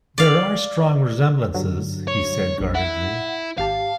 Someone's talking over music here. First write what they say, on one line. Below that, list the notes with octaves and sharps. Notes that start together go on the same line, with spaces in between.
"There are strong resemblances," he said guardedly.
D5 F5
G2 D3 F#3
C#5
A#1 G2
E4 F#5
G#1 G4 F5 A5